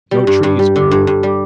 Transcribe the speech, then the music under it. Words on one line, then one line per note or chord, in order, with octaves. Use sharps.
No trees grew there.
G3
G2
G2
G3
D3
G2
G2
G3